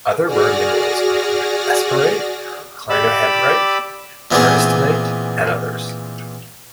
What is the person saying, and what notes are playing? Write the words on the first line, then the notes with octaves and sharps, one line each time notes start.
Other rare minerals include esperite, clinohedrite, hardystonite, and others.
F#4 G#4 D5 F6 A#6
G4 D5 B5 D6 E6
A#2 E3 B3 C4 D4 G#4